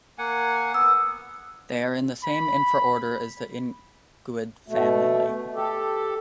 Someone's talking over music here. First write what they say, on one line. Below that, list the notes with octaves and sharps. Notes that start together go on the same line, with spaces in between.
They are in the same infraorder as the iguanid family.
A#3 F#5 G#5
B3 E6
B5
B2 A3
G4 A4